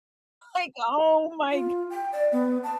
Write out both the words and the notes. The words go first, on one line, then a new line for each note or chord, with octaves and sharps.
like, oh my g
F4
G5
D5
B3
A5